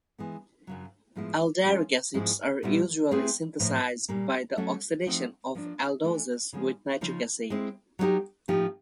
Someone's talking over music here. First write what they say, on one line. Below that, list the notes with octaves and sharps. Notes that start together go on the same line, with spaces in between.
Aldaric acids are usually synthesized by the oxidation of aldoses with nitric acid.
E3 G#3 B3
F#2 C#3 F#3
A2 F3 G#3 B3 E4
F3 G#3 C#4 F4
G#2 F3 G#3 C4 E4
A#2 G3 B3 E4
A3 C4 E4 G#4 B4
A2 F3 A#3
A#2 G3 A#3
F#3 A3 C#4 F#4 A4
F3 A3 C4 D#4 F#4
F3 A#3 D4
E3 A3 D4
C#3 F3 G#3 B3
C#3 F3 A#3 D#4
G#3 C4 E4
F#3 B3 D#4 G4 A#4
A2 F3 A#3 D#4 G4